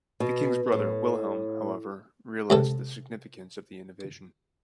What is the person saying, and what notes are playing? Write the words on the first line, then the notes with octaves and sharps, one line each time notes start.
The king's brother Wilhelm, however, realized the significance of the innovation.
B2
A2
C#2 C3 A4